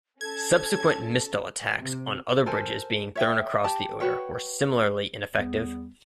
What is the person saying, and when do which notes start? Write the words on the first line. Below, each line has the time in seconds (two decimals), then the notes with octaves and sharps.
Subsequent "Mistel" attacks on other bridges being thrown across the Oder were similarly ineffective.
0.21 C#4 A4 A5 G#6
1.78 C3
2.46 A4 A#4 C5 G#5
3.15 C#5 E5 G5
3.64 G4 A5
4.00 F#4 B4 C#5 G5
5.34 E2 G3 B3